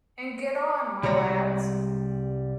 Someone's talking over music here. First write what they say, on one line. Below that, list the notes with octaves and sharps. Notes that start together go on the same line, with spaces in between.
And get on, my lads!
C2 G3 G#3 C#5 A#5